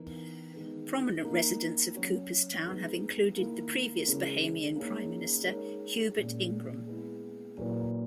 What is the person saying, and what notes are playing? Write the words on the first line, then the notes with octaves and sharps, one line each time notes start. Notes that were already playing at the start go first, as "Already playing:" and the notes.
Prominent residents of Coopers Town have included the previous Bahamian Prime Minister Hubert Ingraham.
Already playing: E3 B3 D#4 A#4
D#3 G#3 B3
A#3 D#4 A#4
F#3 C#4 F#4
G#3 B3 D#4 G#4 B4
D#3 A#3 E4 A#4
C#3 G#3 C#4 E4 A#4
A#3 D#4 G#4 C#5
G#3 D#4 A#4 C#5
A#2 G#3 C#4
G#3 B3 E4
A#2 F#3 A#3 E4 B4